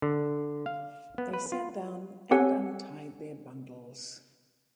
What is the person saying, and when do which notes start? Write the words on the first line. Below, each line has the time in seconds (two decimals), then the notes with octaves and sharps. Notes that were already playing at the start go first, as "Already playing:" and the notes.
They sat down and untied their bundles.
0.02 D3
0.66 F5
1.18 B3
1.33 B4
1.52 F4
2.31 C4 G4 A4 C#5 F#5 G#5